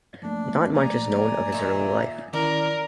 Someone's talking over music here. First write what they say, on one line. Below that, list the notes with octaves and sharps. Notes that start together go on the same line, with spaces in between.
Not much is known of his early life.
F3 A3 A#3 D4
D5 G#5 A#5
A#2 D#3 E5
D#3 C#4 E4 A#4 D5